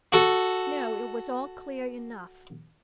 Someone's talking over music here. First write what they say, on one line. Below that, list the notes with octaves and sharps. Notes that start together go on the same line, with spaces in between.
No, it was all clear enough.
F#4 A4